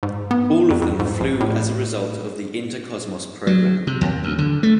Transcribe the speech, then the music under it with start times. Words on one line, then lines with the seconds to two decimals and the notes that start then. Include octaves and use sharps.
All of them flew as a result of the Intercosmos program.
0.03 G#2
0.31 B3
0.70 F2
0.82 F2
0.99 G#2
1.20 A#1
1.40 A2
3.47 F#3
3.87 C3
4.01 D#2
4.24 D2
4.38 D3
4.63 A3